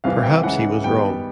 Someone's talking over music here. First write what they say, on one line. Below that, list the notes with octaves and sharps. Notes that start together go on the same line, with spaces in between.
Perhaps he was wrong.
C2 C3 E3 F5
G5
C#2 C#3 E3 F#5
G2 D#3 G3 B3 G5